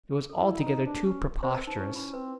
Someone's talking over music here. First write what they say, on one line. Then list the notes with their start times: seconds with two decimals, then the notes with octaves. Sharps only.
It was altogether too preposterous.
0.12 G#4
0.22 A#4
0.30 A4
0.37 E4
0.48 A#4
0.61 D#4
0.67 B4
0.86 D4
1.03 C#4
1.41 C4 C5
1.51 B4
1.59 A#4
1.67 D#4
1.76 C#4 E4
1.95 C#4 F4
2.14 C4 B4